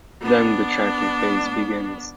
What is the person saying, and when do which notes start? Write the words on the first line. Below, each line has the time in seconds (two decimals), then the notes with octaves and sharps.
Then the tracking phase begins.
0.22 B3 D4